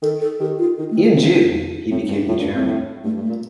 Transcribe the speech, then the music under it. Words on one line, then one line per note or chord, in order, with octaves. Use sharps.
In June, he became the chairman.
D#3 A4
A4
D#3 G4
F4
D#3 D#4
A3
D#3
A#3
C3 C4
D#4
A2 C4
D#4
G2
D4
A2 F4
A#2
D4
G2
A2 C4
A2
G2 A3
G2
A3
A#2